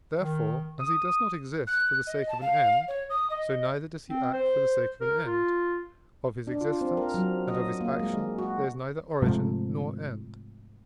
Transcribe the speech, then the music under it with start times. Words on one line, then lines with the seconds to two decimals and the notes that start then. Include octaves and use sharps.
Therefore, as he does not exist for the sake of an end, so neither does he act for the sake of an end; of his existence and of his action there is neither origin nor end.
0.20 D#3
0.80 D#6
1.67 F#6
2.07 D#5
2.29 A5
2.41 F5
2.88 C#5
3.10 D#6
3.30 D#5
4.10 C4
4.33 C5
5.01 A#4
5.26 F4
6.47 D4
6.61 F4
6.81 C4
6.97 A#4
7.14 F#3
7.48 D#5
7.80 A#3
7.99 G#3
8.13 G#3
8.39 F#4
9.22 G#2 C3 F3 A3